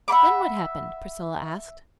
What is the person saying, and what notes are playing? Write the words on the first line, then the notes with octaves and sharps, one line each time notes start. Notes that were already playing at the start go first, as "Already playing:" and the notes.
"Then what happened?" Priscilla asked.
E5 F#5 B5 D6